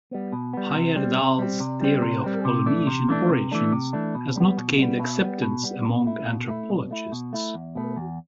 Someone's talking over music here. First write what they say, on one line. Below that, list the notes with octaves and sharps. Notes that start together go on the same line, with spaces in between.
Heyerdahl's theory of Polynesian origins has not gained acceptance among anthropologists.
G3 B3
B2
G3 B3
C3
G3 C4
C3
G3 C4
C3
G3 C4
C3
G3 C4
C3
E3 A3 D4
C3
E3 A3 D4
C3
E3 A3 D4
C3
E3 A3 D4
B2
G3 B3
B2
G3 B3
B2
G3 B3
B2
G3 B3
B2
A3 E4
B2
A3 E4
B2
A3 E4
B2
A3 E4
E2
B2 A3
E2